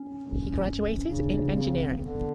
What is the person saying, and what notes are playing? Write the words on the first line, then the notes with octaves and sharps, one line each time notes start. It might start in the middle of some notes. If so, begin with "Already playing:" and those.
He graduated in engineering.
Already playing: C#4
C#3 D4
C4
D3 B3